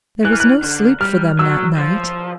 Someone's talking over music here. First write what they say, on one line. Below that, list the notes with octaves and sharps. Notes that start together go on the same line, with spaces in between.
There was no sleep for them that night.
E3 F#6
F6
F#6
D3
G3 F6
F#3 E6
F3